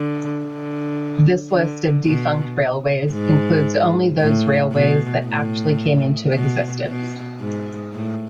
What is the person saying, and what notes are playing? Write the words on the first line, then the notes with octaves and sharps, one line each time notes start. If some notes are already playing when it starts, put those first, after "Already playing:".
This list of defunct railways includes only those railways that actually came into existence.
Already playing: D3
D3
D3
B2
G#2
A2
B2
A2
B2
B2
G#2
A2